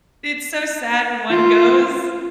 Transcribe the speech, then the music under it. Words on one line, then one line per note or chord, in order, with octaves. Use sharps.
It's so sad when one goes,
F4